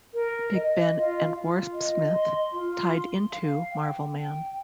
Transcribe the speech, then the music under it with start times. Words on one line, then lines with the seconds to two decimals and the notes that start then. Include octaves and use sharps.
"Big Ben" and "Warpsmith" tied into "Marvelman".
0.14 A#4
0.54 D#5
0.94 F4
1.33 F4
1.74 D#5
2.13 C6
2.53 F4
2.92 C6
3.32 F5
3.71 G5
4.11 G5